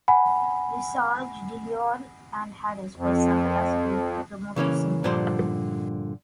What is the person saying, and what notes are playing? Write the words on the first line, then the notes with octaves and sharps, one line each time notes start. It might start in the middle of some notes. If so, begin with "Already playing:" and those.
Visage, DeLeon and Harris were assembled as a group to promote the single.
F#5 G#5 B5
F2
C#3 E3 A#3 C#4
G2 A#2 D3 F3 C5 C6